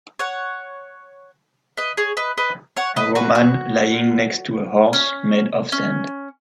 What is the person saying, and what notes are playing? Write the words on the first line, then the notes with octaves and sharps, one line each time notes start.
A woman lying next to a horse made of sand.
C#5 F#5
B4 D#5
G#4 C#5
B4 D#5
B4 D#5
C#5 F#5
B4 D#5
F#4 B4
F#4
C#4
C#4